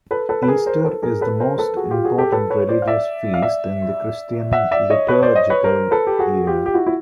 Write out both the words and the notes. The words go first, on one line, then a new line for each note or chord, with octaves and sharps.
Easter is the most important religious feast in the Christian liturgical year.
A4 B4
A4 B4
B4
G#4 A#4
A#4 C5
A4 B4
G#4 A#4
A4 B4
A#4 C5
A4 B4
F#4 G#4
F4 G4
F#4 G#4
G4 A4
A4 B4
B4 C#5
C5 D5
F5
D5 E5
F5
D5 E5
E5 F#5
D5 E5
C#5 D#5
B4 C#5
C5 D5
C#5 D#5
B4 C#5
A#4 C5
A4 B4
G4
F#4 G#4
F4 G4
G4
E4 F#4
E4